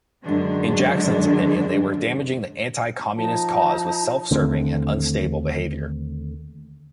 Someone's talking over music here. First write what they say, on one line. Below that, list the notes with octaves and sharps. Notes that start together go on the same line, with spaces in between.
In Jackson's opinion they were damaging the anti-Communist cause with self-serving and unstable behavior.
F#2 D3 D#3 F#3 G#3 D4
F3 D#4 A5
D#2 D3 A3 C4